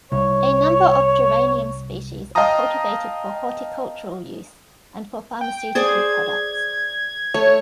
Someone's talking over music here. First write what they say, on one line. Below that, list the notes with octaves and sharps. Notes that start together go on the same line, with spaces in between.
A number of geranium species are cultivated for horticultural use and for pharmaceutical products.
C2 C#5
D#5 F5 G5 A5 A#5 D#6
G5
G#4 C5 D5 G#6
A3 C#5